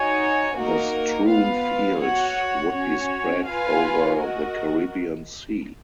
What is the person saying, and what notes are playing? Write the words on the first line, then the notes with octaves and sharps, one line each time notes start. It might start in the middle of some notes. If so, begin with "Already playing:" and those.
The strewn field would be spread over the Caribbean Sea.
Already playing: D#4 F#4 C#5 G#5
A#3 D#4 F#4 A#4
B3 F4 B4 F5
F#4 C#5 F#5
C#4 F#4 C#5
F4 B4 F5 G#5
F#4 A#4 D#5